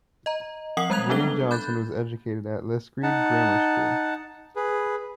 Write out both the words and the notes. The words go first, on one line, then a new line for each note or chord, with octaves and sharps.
Jane Johnson was educated at Liskeard Grammar School.
D#5 A#5
F3 C4 F#5 D#6 C7 F#7
G3 G#3 A#5 F#6 G#6 F7
F#3 B3 D4 A4 G7
B5 F#6 G6 A6
D#4 F#5 A5
G#4 B4